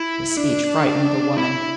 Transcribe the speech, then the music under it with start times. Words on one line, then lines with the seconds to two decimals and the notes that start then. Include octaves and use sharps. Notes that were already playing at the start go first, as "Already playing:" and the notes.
This speech frightened the woman.
Already playing: E4
0.37 D4
1.37 E4